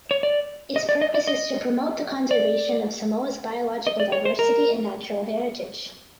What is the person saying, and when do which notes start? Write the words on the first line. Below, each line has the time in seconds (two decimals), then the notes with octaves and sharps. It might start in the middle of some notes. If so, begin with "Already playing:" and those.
Its purpose is to promote the conservation of Samoa’s biological diversity and natural heritage.
0.11 C#5
0.23 D5
0.76 D#5
0.89 D5
1.01 D#5
1.15 D5
1.27 D#5
2.31 D5
3.87 D#5
4.00 D5
4.12 C#5
4.25 C5
4.39 A#4